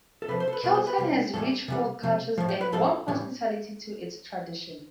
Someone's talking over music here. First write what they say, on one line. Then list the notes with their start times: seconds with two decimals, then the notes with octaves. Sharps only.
Kiltan has rich folk cultures and warm hospitality to its tradition.
0.22 A4
0.28 C3 F3 B4
0.40 C5
0.48 A4
0.53 B4
0.63 B2 G3 B4
0.75 C5
0.87 B4
0.98 C3 G3
1.33 A2 E3 G3 A4
1.68 C3 E3 G3
2.03 C3 F3
2.38 A2 F3
2.49 G4
2.61 B4
2.72 A2 F3 A4
3.08 A2 E3 G3